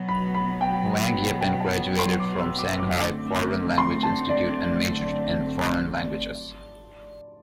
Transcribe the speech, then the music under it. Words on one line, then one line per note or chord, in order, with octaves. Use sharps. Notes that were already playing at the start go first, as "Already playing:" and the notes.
Wang Yeping graduated from Shanghai Foreign Language Institute and majored in foreign languages.
Already playing: B2 F#3 B3
B5
B5
G5
G5
A5
C6
D6
E6
D6
D6
F#2 D3 A3 C4 D6
C6
A5
D5